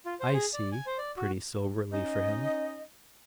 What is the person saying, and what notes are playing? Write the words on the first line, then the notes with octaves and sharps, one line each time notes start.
"I see," pretty soberly, for him.
F4
C5
G#4
D5
G#5
C5
D5
F#4
C#4 D#4 D#5